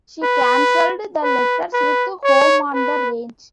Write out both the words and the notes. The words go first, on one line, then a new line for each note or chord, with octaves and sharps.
She canceled the letters with "Home on the Range".
B4
B4
B4
C#5
B4